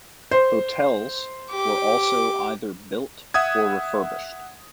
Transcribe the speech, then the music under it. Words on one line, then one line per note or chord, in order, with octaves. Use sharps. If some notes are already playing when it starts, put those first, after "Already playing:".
Hotels were also either built or refurbished.
C5
G4 D6
E5 F#5 D#6 G#6